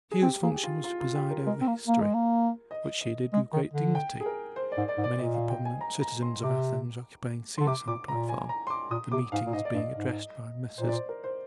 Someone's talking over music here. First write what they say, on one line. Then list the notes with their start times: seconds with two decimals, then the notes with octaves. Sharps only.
Clio's function was to preside over history--which she did with great dignity, many of the prominent citizens of Athens occupying seats on the platform, the meetings being addressed by Messrs.
0.11 G#4
0.22 C4 G4
0.43 A#3 G#4
0.54 G4
0.64 F4
0.84 F4
1.00 F4
1.15 G4
1.31 A#4
1.46 G#3 A#4
1.61 C4
1.67 A#3
1.88 A#3
2.01 G#3
2.14 A#3
2.71 D#5
3.01 D#5
3.33 G#3
3.53 D#3
3.73 D3
3.95 G5
4.20 G#4
4.26 A#4
4.56 C5
4.72 D5
4.77 G#2
4.88 D5
4.98 G#2
5.04 D5
5.19 A#2 D#5
5.34 F5
5.50 G5
5.65 G#5
5.81 A#5
6.01 A#5
6.22 C6
6.43 C3 D6
7.58 D3 C6
7.67 C3 D6
7.88 A#2 D6
8.08 A#2 A#5
8.29 G#5
8.49 A#5
8.67 C6
8.70 D6
8.91 A#2 D#6
9.12 C3 D6
9.32 G#2 F5
9.46 A#2
9.53 G#2 D#5
9.65 D5
9.74 G2
9.77 D#5
9.95 G#2
10.78 A#2 C5
10.88 D5
10.93 C5
11.09 A#4
11.24 C5